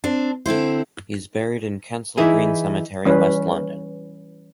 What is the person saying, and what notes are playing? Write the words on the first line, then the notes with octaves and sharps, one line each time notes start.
He is buried in Kensal Green Cemetery, West London.
C4 D4
D3 C4 E4 C5
E3 D#4 E4 G#4
E3 G3 C#4 B4